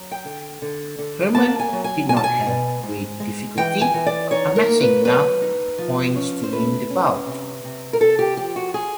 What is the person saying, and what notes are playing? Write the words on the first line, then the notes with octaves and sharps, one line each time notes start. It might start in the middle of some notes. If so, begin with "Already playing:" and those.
Herman did not have great difficulty amassing enough points to win the bout.
Already playing: F#3
G5
D3
D3
D3
A#3 A5
G#5
F#3
G#5
B2 G#5
A5
G#5
B2
G#2
G#3
E3 G5
G#5
E3
D5
D#4 C#5
A#4
A#3
B4
F#3 B4
D#4
F3
C#4
C5
A3 B4
C#4
C3
C3
A#4
C3 A4
G4
F3 G4
F#4
G#4